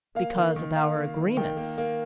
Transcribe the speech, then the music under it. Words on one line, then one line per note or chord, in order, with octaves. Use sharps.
"Because of our agreement."
A#3 F5
D#3
D#3
A#3 F5
A#3
D#3
D#3 G5
A#3
A#3